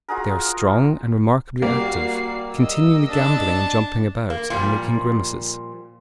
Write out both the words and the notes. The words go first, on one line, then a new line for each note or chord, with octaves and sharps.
They are strong and remarkably active, continually gambolling and jumping about, and making grimaces.
F4 F#4 G#4 A#4
G3 A#3 F#4 C7
D#5 E6
D4 A5
A#3
A#2 F3 G3